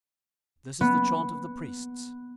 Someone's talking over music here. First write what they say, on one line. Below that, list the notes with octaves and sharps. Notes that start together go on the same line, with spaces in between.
This is the chaunt of the Priests.
B3